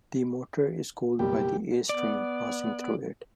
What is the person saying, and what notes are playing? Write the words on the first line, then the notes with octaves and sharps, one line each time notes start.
The motor is cooled by the airstream passing through it.
F#1 B1 G3 G4
B3 D5